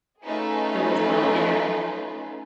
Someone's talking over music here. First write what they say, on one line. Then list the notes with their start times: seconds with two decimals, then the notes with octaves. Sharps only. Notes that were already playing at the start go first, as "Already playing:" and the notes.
It was all inner?
0.24 A3 C#4 D#4 F4 G#4 B4